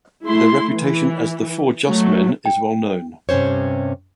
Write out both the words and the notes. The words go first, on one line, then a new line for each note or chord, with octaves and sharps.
Their reputation as the "Four Just Men" is well known.
A3 E4 C6
E3
F#3 A3
G5
G2 C3 C#4 C5 C#5